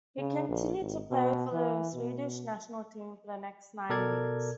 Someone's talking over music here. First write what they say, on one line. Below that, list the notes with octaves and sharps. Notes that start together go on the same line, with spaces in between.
He continued to play for the Swedish national team for the next nine years.
C#3
A#1
G#1
B2
E3
B2
B2 A4 A#4 D5 G#6